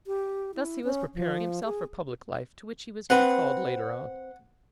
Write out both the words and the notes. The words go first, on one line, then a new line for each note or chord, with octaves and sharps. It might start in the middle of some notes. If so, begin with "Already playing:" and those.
Thus he was preparing himself for public life to which he was to be called later on.
G4
E4
C#4
F3
G#4
C4 B4 F#5